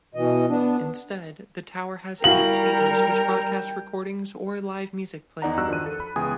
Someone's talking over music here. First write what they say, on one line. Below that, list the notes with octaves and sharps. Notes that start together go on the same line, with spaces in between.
Instead the tower has eight speakers which broadcast recordings or live music played.
B2 E3 D#5
B3 D4
G3 E4 F#4 A#4 F5 G5 F#7
E2 D#4 D5 F#5 A#5
G2 F#4 D5 D#5 E6 F#6
D#3 F3 D4 D#7
A4
B5
C#2 E3 B3 G#4 G#5 D#6